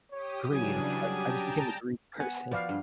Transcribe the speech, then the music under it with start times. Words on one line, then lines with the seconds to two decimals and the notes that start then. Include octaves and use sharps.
greed, like, I just became a greedy person,
0.11 G4 C#5 D#6
0.52 C#3 E3 F#3 G3 D4 G#5 D#6
1.17 G4 G5 A5 A#5
2.20 B3 F#5 G#5
2.51 F3 F#4 B4 D5 F5
2.69 G2